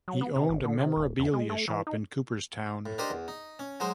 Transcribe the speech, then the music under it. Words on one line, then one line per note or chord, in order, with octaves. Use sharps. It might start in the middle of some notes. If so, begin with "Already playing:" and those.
He owned a memorabilia shop in Cooperstown.
F#3
B3
C3
G#1
D3
C3
D#1
E2
G#3
A3
E3
D#4
A2
D4 D#4 G4 A#4 C5 D#5
E2
D#4
C#4
F#3 G#3 D#4 C5